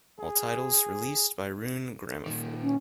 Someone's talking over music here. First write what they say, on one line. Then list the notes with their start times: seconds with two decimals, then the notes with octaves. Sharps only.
All titles released by Rune Grammofon.
0.20 G#4
2.26 A#2 D#3
2.62 C#4